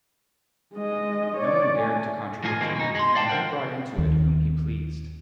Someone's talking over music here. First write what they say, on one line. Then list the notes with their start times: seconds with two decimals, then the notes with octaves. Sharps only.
No one dared to contradict him, and he brought into it whom he pleased.
0.74 G#3 D#5
1.37 C#5 D5
1.78 A3 G#5
2.44 B1 A2 F4 G#5
2.61 B2 D#3 G#3 A#3 C4
2.75 B2 D#4
2.95 G#3 C6
3.15 D5 F5 G5 A5
3.28 A#4 C5 F#5 G5
3.98 D#2